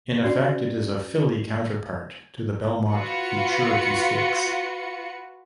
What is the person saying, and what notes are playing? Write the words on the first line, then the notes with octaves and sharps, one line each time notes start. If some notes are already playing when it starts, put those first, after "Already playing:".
In effect, it is a filly counterpart to the Belmont Futurity Stakes.
C#4 F#4 D5
F4 F#4 B4 C#7